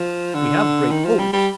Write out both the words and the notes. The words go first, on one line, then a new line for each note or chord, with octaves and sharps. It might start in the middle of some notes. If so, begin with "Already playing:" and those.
"We have great hopes."
Already playing: F3
D3
D#3
F3
G3
G3